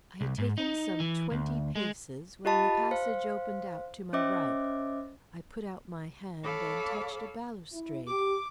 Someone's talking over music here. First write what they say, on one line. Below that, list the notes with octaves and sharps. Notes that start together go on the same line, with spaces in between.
I had taken some twenty paces when the passage opened out to my right. I put out my hand and touched a balustrade.
C2
G#2
D#4
E3
D2
G#3
F4 G4 D#5 A5 B5
C5 F5
C#4 C5 D#5 E5 D6
A4 C#5 F5 B5 D6
E4
G4 D6